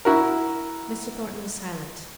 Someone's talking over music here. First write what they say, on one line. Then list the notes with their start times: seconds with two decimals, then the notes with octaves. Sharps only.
Mr. Thornton was silent.
0.05 E4 F#4 A#4